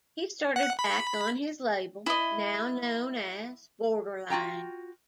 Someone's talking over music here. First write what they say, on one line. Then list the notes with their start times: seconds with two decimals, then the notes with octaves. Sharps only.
He started back on his label, now known as, "Borderline".
0.56 F#5
0.79 B5
2.06 E4 D#5
4.30 F4 F#4 G5 A#5